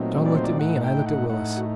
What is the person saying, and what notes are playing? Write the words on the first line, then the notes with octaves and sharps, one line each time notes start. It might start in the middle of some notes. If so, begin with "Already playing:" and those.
John looked at me, and I looked at Willis.
Already playing: A#2 F#3 A3 C4 D#4
D5
C5
D5
A2 A3 D#4 F#5
G5
F#5
A2 A3 D#4 F#5
F#4